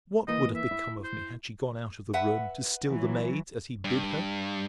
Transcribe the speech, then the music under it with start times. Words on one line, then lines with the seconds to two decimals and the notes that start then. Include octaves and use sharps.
What would have become of me, had she gone out of the room, to still the maids, as he bid her!
0.28 E3 A#3 D#5
0.55 E5
0.71 E4
1.04 C5
2.13 B4 E5 F#5
2.88 E3 F#3
3.85 G2